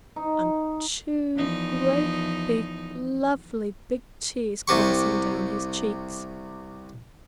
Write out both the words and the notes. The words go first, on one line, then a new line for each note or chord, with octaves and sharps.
And two great big lovely big tears coursing down his cheeks.
D#4
E2 F3 D#4
C2 C3 G4 C#6